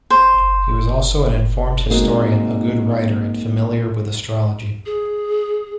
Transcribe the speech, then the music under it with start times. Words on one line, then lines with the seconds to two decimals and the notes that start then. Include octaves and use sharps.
He was also an informed historian, a good writer and familiar with astrology.
0.10 C5
1.90 G#3 A#3 C4 D#4 F#4
4.86 G#4